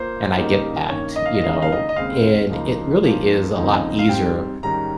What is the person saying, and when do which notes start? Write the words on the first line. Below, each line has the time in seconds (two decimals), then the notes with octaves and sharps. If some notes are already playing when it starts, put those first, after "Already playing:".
and I get that, you know, and it really is a lot easier
Already playing: A#3 F4 C5
0.36 C#3 G3 A#3 D#4
0.89 G2 D#3 A#3 C#4 C#5
1.16 D#5
1.26 F5
1.35 D#5
1.43 D#2 C#3 G#3 D#4 F5
1.53 D#5
1.62 F5
1.72 D#5
1.89 D#5
1.96 D#2 C#3 G#3 C4 F5
2.49 C#2 C#3 F3 A#3 D#4
3.02 G#2 F3 A#3 C#4
3.56 D#2 C#3 F3 C4 D#4
3.99 F5
4.09 G#2 G3 C4 G5
4.63 G#2 D#3 G3 C#4 A#5